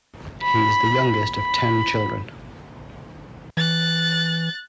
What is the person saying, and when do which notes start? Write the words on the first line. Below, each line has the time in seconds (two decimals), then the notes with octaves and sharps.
He is the youngest of ten children.
0.41 B5
1.33 B5
3.57 E3 F#6 A6